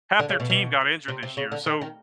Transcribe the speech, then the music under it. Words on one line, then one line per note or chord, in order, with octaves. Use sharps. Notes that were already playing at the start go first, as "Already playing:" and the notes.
half their team got injured this year, so
D3
C#3
B2
B2
C3
C3
C#3
D3
D#3
D#3